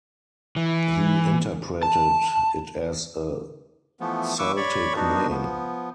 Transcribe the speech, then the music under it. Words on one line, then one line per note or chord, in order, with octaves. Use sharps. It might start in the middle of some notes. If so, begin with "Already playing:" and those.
He interpreted it as a Celtic name.
E3
A5
E3 F3 A3 B3
E3 A#3 B4 C#6 D6 E6
C#5 D5 B5 C#6
B3 D4 D#4 F#4
F3 B3